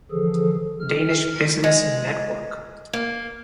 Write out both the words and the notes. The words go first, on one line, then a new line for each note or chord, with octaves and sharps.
Danish Business Network.
D3 E3 F3 G#4 A4
F6
G#3
A#3